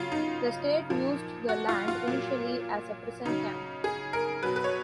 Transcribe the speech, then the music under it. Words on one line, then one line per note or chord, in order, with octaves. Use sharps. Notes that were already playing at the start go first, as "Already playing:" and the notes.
The state used the land initially as a prison camp.
Already playing: C#3 F#3 F4
D#4
A#2 F3
F#4
F4
F4
A#2 F#3
C#3 F#3 D#4
G#4
A#4
B2 F#3 B4
B4
C#5